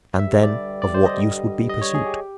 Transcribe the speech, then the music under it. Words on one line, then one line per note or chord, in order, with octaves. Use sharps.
And then of what use would be pursuit?
G2 D3 G3 E5
D5
D5
C5
D#5
D#5
C#5
G#4
G4